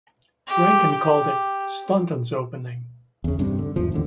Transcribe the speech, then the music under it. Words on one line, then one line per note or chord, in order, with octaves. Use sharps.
Ranken called it "Staunton's Opening".
G4
G4
E2 C#3
G2 C3
D3
G#1 E2 F3
D#2 A2 D3